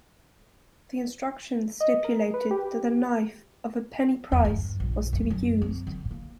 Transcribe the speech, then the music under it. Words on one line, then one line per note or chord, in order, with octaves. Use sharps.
The instructions stipulated that a knife "of a penny price" was to be used.
D#5
A#4
B4
G4
E2
G2
A#1
F#2
F#2
C4
D3
A#3